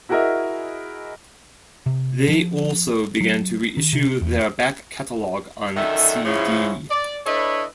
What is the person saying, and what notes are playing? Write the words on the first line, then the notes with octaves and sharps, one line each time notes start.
They also began to reissue their back catalogue on cd.
E4 F#4 G#4 A#4 D#5 E5
C3
F3
F#3
D#3
C3
E2
F#2 D3 D#3 A4 E5
G#2 C#3 F3 C#4 E4
D5
D4 E4 A4 B4 C#5 D#5